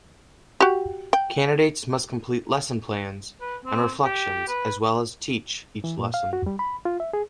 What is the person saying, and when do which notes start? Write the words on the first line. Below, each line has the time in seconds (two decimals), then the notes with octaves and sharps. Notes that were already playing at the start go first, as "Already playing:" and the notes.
Candidates must complete lesson plans and reflections, as well as teach each lesson.
0.60 F#4 G4
1.13 G5
3.41 B4
3.65 C4
4.04 G4
4.48 B4
5.84 E3
5.99 A#2
6.14 F5
6.33 F#4
6.46 G3
6.59 B5
6.85 F4
7.00 E5
7.13 G#4